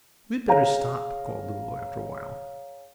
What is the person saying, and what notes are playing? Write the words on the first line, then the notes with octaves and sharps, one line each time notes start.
"We had better stop," called Lulu, after a while.
G#4 C#5 F5 A#5